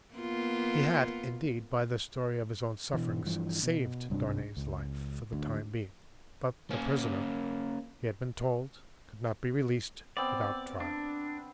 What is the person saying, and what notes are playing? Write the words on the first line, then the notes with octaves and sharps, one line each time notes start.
He had, indeed, by the story of his own sufferings, saved Darnay's life for the time being, but the prisoner, he had been told, could not be released without trial.
A#3 B3 F4
B2 E3
G2 E3 F3
B2
C2 G2 C3 D4
C#2
D2
A#3 C#4
B3 C4 D5
D4